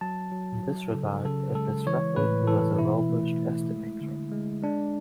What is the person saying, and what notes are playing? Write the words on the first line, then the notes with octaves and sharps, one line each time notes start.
In this regard it is referred to as a robust estimator.
F#3 A5
F#3
F#3
C#3 A4
C#3 A4
G#3 A4
E3 C#5
A2 B4
E3 A4
B2 E4
A3
A3
G#3
D3
G#3
G#3 D4